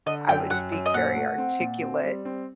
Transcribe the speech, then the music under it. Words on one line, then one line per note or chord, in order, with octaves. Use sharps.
I would speak very articulate,
D3 D#5
F#2 G5
F#2 F#5
F#2
D#5
A#2 F#5
A3
C4
A#2
C4
G3
C4